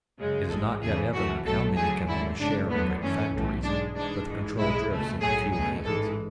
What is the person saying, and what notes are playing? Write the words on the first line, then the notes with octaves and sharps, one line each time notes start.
It is not yet evident how many can own a share in great factories, but the control drifts into few hands.
F#2 C#3 G#3
A1 A2 G#3 A4
E2 C#3 E3 A3 G#4
F#2 E3 A3 F#4
B1 B2 F#3 A3 A4
D2 D3 F#3 A3 G#4
G#1 F#2 D3 A3 E4
G#1 F#2 C#3 D4
E2 D3 F#3 A3 B3
F#2 E3 A3 C#4
B1 A2 E3 A3
G#2 G#3 D4
G#2 E3 G#3 D4
A1 G#2 E3 G#3
B1 A2 G#3 E4
C#2 B2 A3
B1 A2 F#3 A3 G#4
C#2 B2 A3 G#4
A1 G#2 E3 G#3 A4